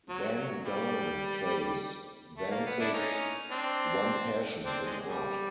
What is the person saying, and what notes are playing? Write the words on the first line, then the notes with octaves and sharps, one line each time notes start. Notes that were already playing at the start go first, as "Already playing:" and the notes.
Van Dine says Vance's "one passion" is art.
F#3
G3
A3
A#3
B3
D4 E4
C#4 D#4
C4 D4
C4 D4
G#3
G3